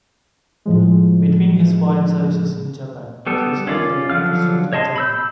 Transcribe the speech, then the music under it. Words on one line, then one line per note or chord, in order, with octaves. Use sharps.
Between his foreign services in Japan, he served the United States in Germany.
A2 F3 G#3
G3 B3 A4
C#4 F4 D5
D3 F3 F#3 F5 F6
C#5 D#5 A5 C6
B5 E6 G6